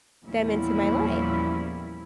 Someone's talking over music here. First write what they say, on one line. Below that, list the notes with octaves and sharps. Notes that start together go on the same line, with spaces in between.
them into my life.
E2 A#2 F3 G3 C#4 E4